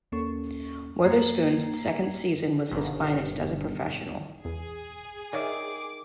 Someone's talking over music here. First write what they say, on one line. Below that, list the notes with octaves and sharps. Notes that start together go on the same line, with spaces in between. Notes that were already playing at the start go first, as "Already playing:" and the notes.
Weatherspoon's second season was his finest as a professional.
D#2 A#3 C#4 A4 C#6
F#2 A#3 A#5 G#6 C7
G1 G2 B2 D#3
E2 G#4
D#3 C#5 D5 E5 D6